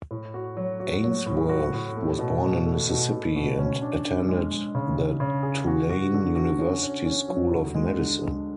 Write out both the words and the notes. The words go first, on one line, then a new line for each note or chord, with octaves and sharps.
Ainsworth was born in Mississippi and attended the Tulane University School of Medicine.
A2
F#4
F#3
F#4
F#3
A2
F#4
A2
A3
B2
B2
A3
B2
B2
B2
C#4
D4
D4
G#3
G#3
C#3
C#3
C#3
G#4
F#4
F#4
D3
F#4
C#4
C#4
C#4
F#3
D2
G#3
D3
G#3